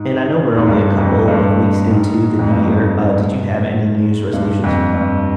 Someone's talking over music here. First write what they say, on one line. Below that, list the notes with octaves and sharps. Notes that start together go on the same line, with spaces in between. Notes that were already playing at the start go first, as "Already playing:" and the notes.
And I know we're only a couple of weeks into the New Year, uh, did you have any New Year's resolutions?
Already playing: G#2
G#2
G2
F2
F2
G2
G#2
F2
G2
G2
F2
G2